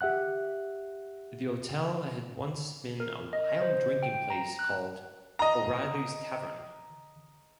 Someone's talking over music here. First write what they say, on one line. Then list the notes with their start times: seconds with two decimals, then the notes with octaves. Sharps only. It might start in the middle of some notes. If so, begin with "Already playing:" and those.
The hotel had once been a wild drinking place called O'Reilly's Tavern.
0.01 G4 E5 F#5 F#6
3.00 A#4
3.33 D#5
3.61 C5
4.03 G5
4.30 A#5
4.59 F#6
5.39 D#5 A#5